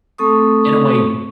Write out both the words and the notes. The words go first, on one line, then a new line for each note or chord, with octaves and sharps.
in a way,
A3 C4 A4 C#6 D#6